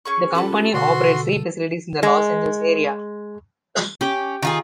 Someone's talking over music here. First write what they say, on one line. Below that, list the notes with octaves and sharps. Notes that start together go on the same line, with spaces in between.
The company operates three facilities in the Los Angeles area.
C#4 G#4 C#6
C#4 F4 G4 A4 B4 A5
B2 D3 F#4 C6
G#3
C#4 G4 G5 D6
D#3 F4 G#4